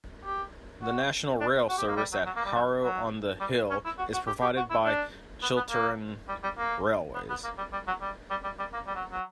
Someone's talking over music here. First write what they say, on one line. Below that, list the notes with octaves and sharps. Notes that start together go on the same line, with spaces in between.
The National Rail service at Harrow-on-the-Hill is provided by Chiltern Railways.
G4
F#4
D4
F#4
G4
A#3
G3
F#3
F#3
A#3
G3
F#3
F#3
G3
C#4
E4
F#4
F#4
G4
G4
F#4
E4
D4
B3
B3
A#3
G3
G3
A#3
B3
B3
A#3
G3
G3
F#3
G3
G3
G3
G3
A#3
G3
F#3
F#3